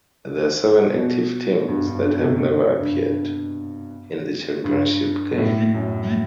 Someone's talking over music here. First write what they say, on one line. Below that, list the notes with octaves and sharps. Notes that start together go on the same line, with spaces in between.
There are seven active teams that have never appeared in the championship game.
B2
G2
G2
D3
B2
C3
G2
G2
B2
A2
F#2